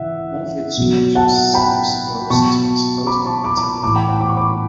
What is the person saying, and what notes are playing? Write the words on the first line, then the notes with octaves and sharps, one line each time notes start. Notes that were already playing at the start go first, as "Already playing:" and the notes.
Morphea discriminates from systemic sclerosis by its supposed lack of internal organ involvement.
Already playing: C#3 E3 E5 F#5
B2 F#3
F#5 A5
G5 B5
B2 F#3 A5 C#6
B5 D6
A5 C#6
B5 D6
B5 D6
A2 E3 B5 D6
G5 B5
F#5 A5
D6
C#6
B5 D6